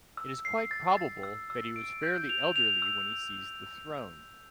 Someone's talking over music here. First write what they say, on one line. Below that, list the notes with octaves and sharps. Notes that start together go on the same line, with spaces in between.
It is quite probable that he was fairly elderly when he seized the throne.
E6
C7
A6
A6
E6
E6
D7
G6
F7
F7
E6